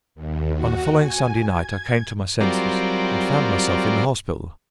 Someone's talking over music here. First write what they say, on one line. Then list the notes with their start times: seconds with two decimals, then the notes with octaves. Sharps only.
On the following Sunday night I came to my senses, and found myself in the hospital.
0.15 D#2
0.54 F#4
0.96 G#5
1.46 G#6
2.41 F#3 G3 C4 F4 A#4 D5